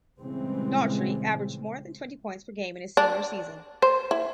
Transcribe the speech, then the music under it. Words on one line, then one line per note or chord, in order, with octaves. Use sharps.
Daugherty averaged more than twenty points per game in his senior season.
A#2 C#3 E3 G3 G#3 C4
D4
C5
E4